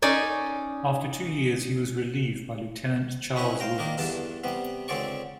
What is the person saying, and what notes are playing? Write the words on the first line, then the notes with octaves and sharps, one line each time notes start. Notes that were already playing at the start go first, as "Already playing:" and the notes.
After two years he was relieved by Lieutenant Charles Wilkes.
C#4 D#4 D5
C4 C#4 E4 B4 D#6
C5 F5 G5 A#5
D#3 A#3 D4 D#4 A#4
E2 G2 D3 A5
C3 G3 B3
C#2 D3 C4 G#4 D5 C#6